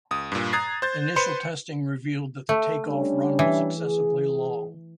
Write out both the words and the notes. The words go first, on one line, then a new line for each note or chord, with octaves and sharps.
Initial testing revealed that the takeoff run was excessively long.
C#2 D#6
G2 A#2
A#5 D#6 F#6 G#6 A6 C7
C5 G6 A6
B4 C5 C6 C#7
A3
G3 C#4 D4
E3
G#4